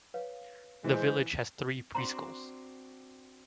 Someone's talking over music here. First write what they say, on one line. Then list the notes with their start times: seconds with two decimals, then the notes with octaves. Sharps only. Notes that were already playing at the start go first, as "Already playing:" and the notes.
The village has three Preschools.
0.14 B4 C#5 F5
0.84 E3 G#3 C5
1.95 C4 D4 F#4 A#5 C6